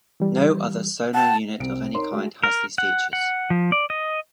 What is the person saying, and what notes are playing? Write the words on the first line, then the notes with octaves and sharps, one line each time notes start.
No other sonar unit of any kind had these features.
E3 G3
F#5 G5 A5
C2 C4 D7
D#4 A#4 C#5 C6
G#3 A3 F#4
A#4
F#5
F#5
F3
D5
D#5